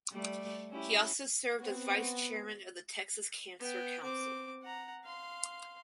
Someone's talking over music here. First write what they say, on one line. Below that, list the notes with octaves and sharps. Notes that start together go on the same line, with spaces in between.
He also served as vice chairman of the Texas Cancer Council.
G3 A3 D5
C#4 E4 G4
B3 C4 F#4
B3 G5
C4 D6
F#5 A#5
F5 C6